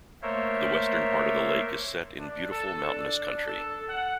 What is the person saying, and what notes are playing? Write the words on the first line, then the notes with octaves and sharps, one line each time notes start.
The western part of the lake is set in beautiful mountainous country.
A3 A#3 A#4 C5 C#5 E5
D4
A4
D4
A4
F#5